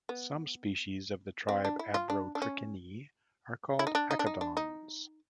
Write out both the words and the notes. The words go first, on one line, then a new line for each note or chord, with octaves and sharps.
Some species of the tribe Abrotrichini are called akodons.
B3
C4
D4
E4
F4
D4
D4
C#4
E4
D#4
D4
D#4
D4
D#4
D4
D#4